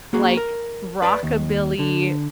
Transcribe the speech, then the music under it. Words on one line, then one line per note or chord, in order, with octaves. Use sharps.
like, rockabilly
A#3 F#4 G#4
A#4
B4 D5 B5
D#2
D3